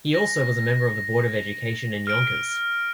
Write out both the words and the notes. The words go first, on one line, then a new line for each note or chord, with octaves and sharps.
He also was a member of the Board of Education in Yonkers.
A#6
F6 D7